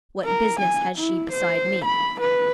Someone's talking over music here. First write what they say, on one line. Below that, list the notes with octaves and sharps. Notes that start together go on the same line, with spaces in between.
"What business has she beside me!"
A#4
G#5
E4
C5
B5
B4